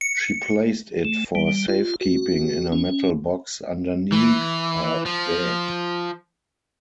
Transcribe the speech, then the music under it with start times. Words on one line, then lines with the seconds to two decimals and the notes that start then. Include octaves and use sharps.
She placed it for safekeeping in a metal box underneath her bed.
0.01 C#7
1.05 A3
1.35 G3
1.68 F4
2.01 F#4
2.72 C#4
4.12 E3
5.06 F3